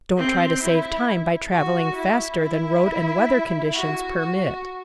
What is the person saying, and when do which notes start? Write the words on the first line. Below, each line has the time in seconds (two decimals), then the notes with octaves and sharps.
Don't try to save time by travelling faster than road and weather conditions permit.
0.18 C4
0.63 E4
1.52 F#4
1.96 E4
2.40 E4
3.74 F#4
4.19 F#4